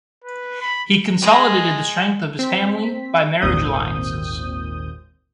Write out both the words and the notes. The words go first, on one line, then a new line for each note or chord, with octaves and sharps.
He consolidated the strength of his family by marriage alliances.
B4
B5
G#3
C4 B6
G#1 D#2 A#2 C4 D#6 G6